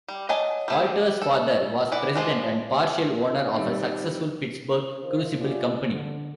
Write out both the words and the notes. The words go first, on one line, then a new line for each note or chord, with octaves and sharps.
Walter's father was President and partial owner of a successful Pittsburgh crucible company.
G3
F#3 D#5 G#5 A5
G3 A3 G#4
A4
E3 B3 D5
F3 G#3 D4
D#3 G3 C4 A4
D#3 F3 A#4 C5
F#2 G3 C#4 F4 A4 D5
D3